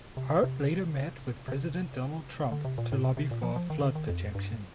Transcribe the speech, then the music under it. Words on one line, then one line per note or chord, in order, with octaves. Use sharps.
Hart later met with President Donald Trump to lobby for flood protection.
C3
C3
C3
D3
C3
A#2
A2
C3
C3
A#2
F3
F3
D#3
D3
D#3
F2
G2